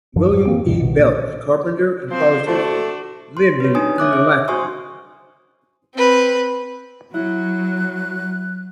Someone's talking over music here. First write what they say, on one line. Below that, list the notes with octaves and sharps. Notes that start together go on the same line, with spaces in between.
William E. Beltz, carpenter and politician, lived in Unalakleet.
F#2 E3 F3
F2 G#2 F#3
E3 A#3 C4
D2 G2 B2 D3
B1 B2 D#3
A#2
F3 C4 C5
A3 D4 F#4 C5
C6
B4 C#5
D4 D#4 G#5 D#6
C#5 E5 D6 F#6
E5
F#4 C5 G#5 C6 C#6 D#6
C4 B4
F#3 E4 F#6